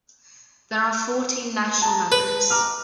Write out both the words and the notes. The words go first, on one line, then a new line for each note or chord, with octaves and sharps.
There are fourteen National Members.
A5 A#5
B4
A#5 D6 F6